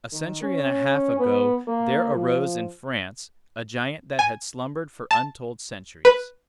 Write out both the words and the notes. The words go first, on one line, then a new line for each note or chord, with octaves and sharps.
A century and a half ago there arose in France a giant that had slumbered for untold centuries.
D#3
C#4
B3
A#3
F3
G#5
A5
B4